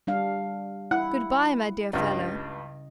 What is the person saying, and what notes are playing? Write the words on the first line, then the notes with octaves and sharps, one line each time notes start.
Good-bye, my dear fellow.
G3 D4 F5
E4 F#5
C#2 G2 C#3 D#5